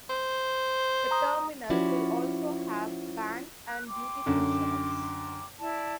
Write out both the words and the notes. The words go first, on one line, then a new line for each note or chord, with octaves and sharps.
The terminal will also have banks and duty-free shops.
C5
A#5 D#6
F3 C#4 E4 F#4 D5
F#6
G5 C6 D6
F#2 D3
E4 D5 A5